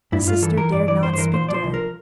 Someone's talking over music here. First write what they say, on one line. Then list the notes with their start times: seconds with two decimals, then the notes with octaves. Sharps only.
The sister dared not speak to her.
0.12 G2 E4
0.27 G2 F4
0.42 E3 A4
0.57 E3 A#4
0.72 G2 D5
0.88 E3 D5
1.03 G2 C5
1.13 C5
1.18 E3 A#4
1.33 A#2 C5
1.49 F3 D5
1.54 C5
1.64 C2
1.74 A#4